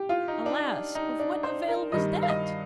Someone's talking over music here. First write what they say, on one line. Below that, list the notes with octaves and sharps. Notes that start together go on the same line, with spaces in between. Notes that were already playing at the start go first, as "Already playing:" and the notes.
Alas! of what avail was that?
Already playing: G4
F4
D#4
D4
D#4
D4
C5
A#4
G2 D#3 G3 D#5
F5
D#5